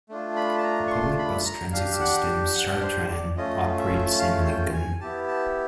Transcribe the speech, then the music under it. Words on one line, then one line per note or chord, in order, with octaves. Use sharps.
A public bus transit system, StarTran, operates in Lincoln.
A3 D4 F4
B5
A5
A#5
C#6
C6
B5
A#5
D4 G4 F5
F#5
F#5
C5
D5
A3 C#4 F4 D#5
E5
F5
G5
G#5
B3 E4 G4 A5
A5